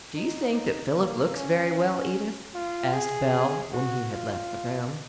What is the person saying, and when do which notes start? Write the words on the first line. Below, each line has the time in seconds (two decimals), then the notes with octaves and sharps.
"Do you think that Philip looks very well, Edith," asked Belle when he had left the room.
0.16 D#4
0.96 A#3
1.35 C#4
2.54 F4
2.93 G#4
3.73 F#4
4.12 F4